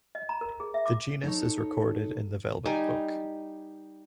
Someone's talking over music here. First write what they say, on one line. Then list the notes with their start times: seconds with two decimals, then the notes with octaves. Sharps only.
The genus is recorded in the Velvet Book.
0.15 D#5
0.29 A#5
0.41 A#4
0.60 G#4
0.74 E5
0.86 D6
1.23 D#4 A4 C#5
2.65 G3 D#4 G#5